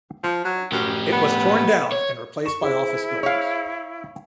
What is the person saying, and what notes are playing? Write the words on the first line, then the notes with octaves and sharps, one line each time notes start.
It was torn down and replaced by office buildings.
F3
F#3
F#2 A2 G4
B3
C#5
C#6 E7
E4 G#4 C5
C#5 F5